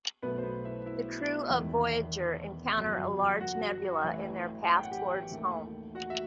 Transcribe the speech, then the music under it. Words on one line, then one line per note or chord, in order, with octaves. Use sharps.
The crew of "Voyager" encounter a large nebula in their path towards home.
B1 B2 A3 B3 B4
C5
B3 B4
E4 E5
E4 E5
E1 E2 D#3
G1 F#2 F#3
F#4 F#5
A1 A2 E3
G5
F#5
G4 G5
D#2 D#3 A3
F#4 F#5
E5